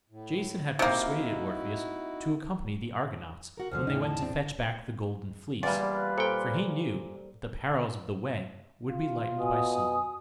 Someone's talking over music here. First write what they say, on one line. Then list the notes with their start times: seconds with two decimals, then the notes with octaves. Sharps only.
Jason had persuaded Orpheus to accompany the Argonauts when they went to fetch back the golden fleece, for he knew that the perils of the way would be lightened by song.
0.10 A2
0.79 C3 A#3 D#4 E4 F#4
3.57 F#4 A#4
3.71 D2 D3 F3 F6
3.87 E2 A2 D#4
4.03 A5
4.22 C4 D4
5.63 E2 G3 A#3 F4 B4 D5
6.18 A#2 A4 C5 G5 C#7
8.89 F4
9.39 B2 G#5 D#6